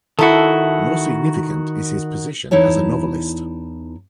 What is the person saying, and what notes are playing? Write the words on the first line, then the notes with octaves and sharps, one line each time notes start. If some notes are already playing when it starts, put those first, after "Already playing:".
More significant is his position as a novelist.
D#3 E4 F#4 A4
E2 D#4 E4 C#5 A5